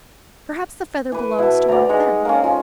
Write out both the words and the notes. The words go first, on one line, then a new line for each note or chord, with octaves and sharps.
Perhaps the feather belongs to one of them.'
E3 B4
B2 E4 A5
D2 D5 A#5
G#3 D#4 D#5 F#5
G#3 A#3 C4 C#4
F2 F4